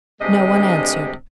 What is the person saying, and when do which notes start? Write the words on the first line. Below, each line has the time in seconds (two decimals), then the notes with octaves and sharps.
No one answered.
0.21 D2 G2 C3 G#3 D4 D#5